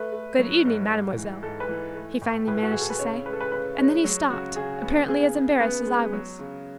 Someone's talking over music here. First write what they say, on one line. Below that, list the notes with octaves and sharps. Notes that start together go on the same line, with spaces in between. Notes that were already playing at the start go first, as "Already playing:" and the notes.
"Good evening, mademoiselle," he finally managed to say, and then he stopped, apparently as embarrassed as I was.
Already playing: A3 B4
A3
F#3
G#2
G#2
E3
G#2 A4
B4
E3
A3
A2
A2 B4
F#4
A2 G#4
A4
B4
C#3 C#5
G#3 B4
A4
B4
C#3 B4
G#3 C#5
F#3
C#3 F#4
C#3 G#4
B3
C#3 G#4
C#3
B3 B4
G#3
F#3
C#3